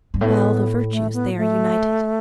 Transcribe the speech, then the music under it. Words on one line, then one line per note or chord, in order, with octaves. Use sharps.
By all the virtues they are united.
G2
A2 B3
A3
B3
A3